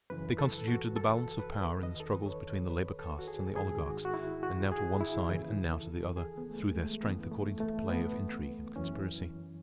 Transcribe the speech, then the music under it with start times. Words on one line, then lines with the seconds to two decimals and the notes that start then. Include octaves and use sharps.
They constituted the balance of power in the struggles between the labor castes and the oligarchs, and now to one side and now to the other, threw their strength according to the play of intrigue and conspiracy.
0.10 F#2 C#3 E3 B4
0.39 A4
0.68 F#4
0.96 A4
1.39 B4
1.83 E2 D#3 D#5
2.00 A4
2.13 B4
2.26 C#5
2.70 B4
2.99 A4
3.19 F#4
3.28 G#4
3.47 A4
3.56 G#2 D#3 G#4
3.85 F#4
4.05 F#4
4.14 E4
4.43 F#4
4.72 G#4
5.01 E4
5.29 D#2 C#3 E3
5.73 A4
6.16 G#4
6.37 B3
6.50 A3
6.59 G#3
6.81 A3
7.03 F#2 C#3 E3 B3
7.31 A3
7.60 A3
7.89 B3
8.76 F#2 E3 C#4